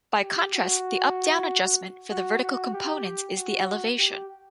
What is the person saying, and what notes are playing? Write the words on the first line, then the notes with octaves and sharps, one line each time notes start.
By contrast, the up-down adjustment for the vertical component is the "elevation".
G4
F#4
F#4
F#4
G4
F#4
G4